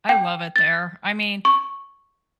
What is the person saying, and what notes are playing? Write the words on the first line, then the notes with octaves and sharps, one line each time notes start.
I love it there, I mean
G5
A6
C#6